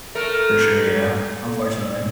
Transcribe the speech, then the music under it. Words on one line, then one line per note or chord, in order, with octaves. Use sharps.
For sure, yeah, unfortunately.
A3 A#4